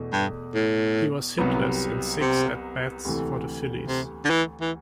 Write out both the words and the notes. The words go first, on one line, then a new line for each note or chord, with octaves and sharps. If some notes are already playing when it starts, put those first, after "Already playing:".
He was hitless in six at-bats for the Phillies.
Already playing: E2 B2 A3
G2
A2
C2 C3 F#3 B3
C3
D2 C3 E3 A3
C3
D3
E3
E3